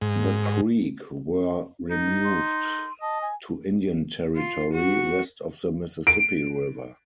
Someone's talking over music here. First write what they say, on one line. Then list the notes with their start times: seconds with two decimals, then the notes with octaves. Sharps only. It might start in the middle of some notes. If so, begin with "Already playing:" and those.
The Creek were removed to Indian Territory west of the Mississippi River.
0.02 G#2
1.91 D#4
2.24 C6
3.01 D#5 A5
3.22 G#5
4.37 F4
4.73 F#4
6.07 D7